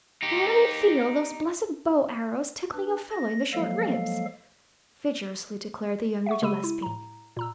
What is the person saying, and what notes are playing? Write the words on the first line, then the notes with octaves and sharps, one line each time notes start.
"Fairly feel those blessed bow-arrows tickling a fellow in the short ribs," vigorously declared the younger Gillespie.
D#4 G4
D4 B4
A#6
F3 F#3 G#3 A#3 A4 F5
E5 F#5 C#6
C#3 G#3 G4 B5 E6 D#7
E4
A2 A#5
A#2 A#5 E6